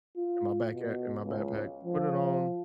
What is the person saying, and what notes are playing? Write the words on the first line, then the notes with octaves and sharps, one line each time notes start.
in my back a in my backpack, put it on,
F4
B2
C#2
F3